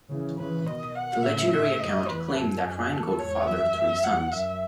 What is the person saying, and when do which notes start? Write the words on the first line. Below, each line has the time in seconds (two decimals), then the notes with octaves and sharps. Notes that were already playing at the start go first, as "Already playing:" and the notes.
The legendary account claimed that Ryngold fathered three sons.
0.10 C#3 E3
0.38 C#3 E3 B4
0.66 B2 D#3 D#5
0.95 F#5
1.23 A2 C#3 E5
1.51 E5
1.79 F#2 D#5
2.07 E2 B4
2.35 F#2 A4
2.63 F#2 G#4
2.91 E2 A4
3.19 E2 G#2 C#5
3.47 F#2 E5
3.76 F#2
4.04 E2 F#5
4.32 F#2 E5